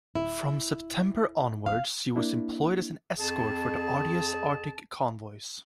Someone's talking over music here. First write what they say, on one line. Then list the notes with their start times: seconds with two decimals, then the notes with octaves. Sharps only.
From September onward, she was employed as an escort for the arduous Arctic Convoys.
0.15 D#1 E4
1.66 E1 F5
2.16 A#3 D4 E4
3.18 F2 G#4 A5